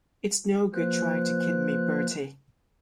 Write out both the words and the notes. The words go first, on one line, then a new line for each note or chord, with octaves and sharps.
It's no good trying to kid me, Bertie.
F3 A#3 F4 B4 C5 F#6